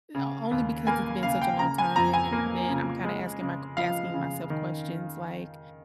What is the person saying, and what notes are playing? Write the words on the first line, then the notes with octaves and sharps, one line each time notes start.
only because it's been such a long time and then I'm kinda asking my q asking myself questions like
C#3
D#2
A#3 G#5
C#3 F5
G5
C#3 A#5
G#5
F2 A#5
G#5
A#3
C#3
G#3
C#3
F3 F5
C#3
D#3